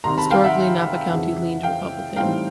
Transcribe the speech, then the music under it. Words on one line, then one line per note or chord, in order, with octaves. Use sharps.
Historically, Napa County leaned Republican.
C2 C3 D#3 A#5 C6
A5 B5
F5 G5
E5 F#5
F2 C#3 E3
F5 G5
A2 E3 G3 C4 D#4 F5 G5